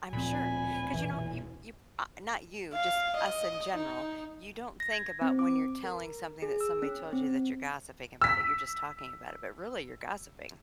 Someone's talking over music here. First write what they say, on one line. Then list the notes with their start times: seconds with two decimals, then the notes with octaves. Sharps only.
I'm sure, 'cause, you know, you you I not you, just us in general. You don't think about when you're telling something that somebody told you that you're gossiping about it, you're just talking about it, but really, you're gossiping.
0.13 D1 A#2 F3 C4 G#5 B5
0.93 D#1 B1 F#2 E3
2.74 F5
3.17 D#5
3.77 D#4
4.80 A#6
4.93 G#6
5.22 C4
5.39 D6
5.84 A#4
6.42 G#4
6.61 E6
6.82 C#4
7.13 C4
8.22 E6 B6